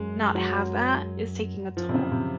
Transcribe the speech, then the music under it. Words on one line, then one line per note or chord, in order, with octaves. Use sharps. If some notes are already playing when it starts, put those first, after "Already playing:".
not have that is taking a toll.
Already playing: F#2 G#3
F#3
F#2 F3
C3
C#3
C3